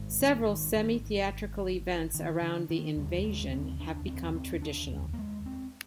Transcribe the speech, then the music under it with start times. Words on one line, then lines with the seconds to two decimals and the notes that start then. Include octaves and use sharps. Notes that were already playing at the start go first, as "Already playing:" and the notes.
Several semi-theatrical events around the "invasion" have become traditional.
Already playing: G#1 G#2
0.21 D#3
0.49 D#3
0.76 D#3
2.15 D#3
2.42 D3
2.70 D#3
2.96 F1 D#2 D3 G3
3.24 G#3
3.53 C4
3.80 D4
4.07 C4
4.35 C4
4.62 D4
5.14 A#3
5.18 G#3
5.46 C4